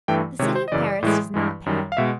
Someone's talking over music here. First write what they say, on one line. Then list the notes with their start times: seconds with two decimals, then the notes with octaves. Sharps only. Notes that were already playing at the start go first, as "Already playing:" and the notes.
The city of Paris does not pay.
0.08 G2 E3 A3 G5
0.39 C3 D#3 G#3 C#5
0.56 C5
0.68 D#5
0.72 F#2 C#3 E3 D5
1.03 A2 E3 G#3
1.34 G2 E3 G#3
1.66 F#2 D#3 G3
1.92 F5
1.97 B2 G#3 E5